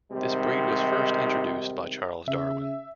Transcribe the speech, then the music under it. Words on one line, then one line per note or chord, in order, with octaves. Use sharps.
This breed was first introduced by Charles Darwin.
G#2 C3 D#3 G3
C#3 E5